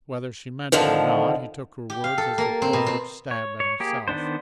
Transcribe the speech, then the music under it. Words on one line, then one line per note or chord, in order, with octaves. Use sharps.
Whether she meant it or not, he took her words as a covert stab at himself.
F2 D3 D#3 F3
G4
F5
A4
A#3
C4
B2
C4
C#5
C#5
A#3 G4 G#4
D#3 B3 D4 C5